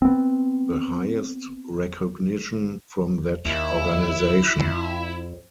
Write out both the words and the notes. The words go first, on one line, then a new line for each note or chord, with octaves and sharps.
The highest recognition from that organization.
B3 C4
D#2 E4
F2